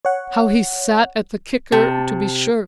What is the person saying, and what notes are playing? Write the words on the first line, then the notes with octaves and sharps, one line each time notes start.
How he sat the kicker to be sure!
C#5 F#5
C3 A5